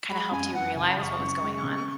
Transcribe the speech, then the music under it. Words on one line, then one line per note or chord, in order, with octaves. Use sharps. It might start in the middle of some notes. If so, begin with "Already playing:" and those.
kinda helped you realize what was going on?
G#3 B5
F#2 G#5
F#2 F#5
F#1 G#5
B5
F#1 C#6 D#6
F#2
G#3
C#3